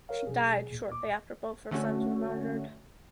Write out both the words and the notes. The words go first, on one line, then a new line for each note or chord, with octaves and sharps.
She died shortly after both her sons were martyred.
A#4 C#5 F5
B2 F#3 D4 G#4
D2 A#2
D6
D3 A3 C#4 F#4